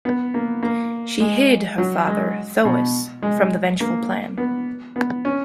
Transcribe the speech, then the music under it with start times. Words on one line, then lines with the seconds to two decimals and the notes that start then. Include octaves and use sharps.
She hid her father, Thoas, from the vengeful plan.
0.05 B3
0.34 A#3
0.63 A#3
1.20 G#3
1.78 F#3
2.07 G#3
2.65 B2
3.23 G#3
3.80 A#3
4.38 B3
4.96 B3
5.25 C#4